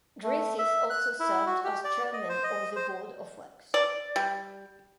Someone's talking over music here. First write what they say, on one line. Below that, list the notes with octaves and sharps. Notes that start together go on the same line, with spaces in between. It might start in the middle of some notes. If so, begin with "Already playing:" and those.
Griffith also served as Chairman of the Board of Works.
A3
E5
F#6
E4
F#4
G4
D5
D#5
C5
D#5
C5
D5
G3